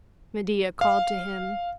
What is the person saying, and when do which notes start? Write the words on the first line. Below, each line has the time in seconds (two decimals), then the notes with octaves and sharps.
Medea called to him.
0.81 F5